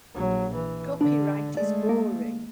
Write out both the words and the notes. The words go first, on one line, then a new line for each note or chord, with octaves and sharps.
Copyright is boring.
A#1 F#3
E3
D3 D4
G#3 A3 D5
A#3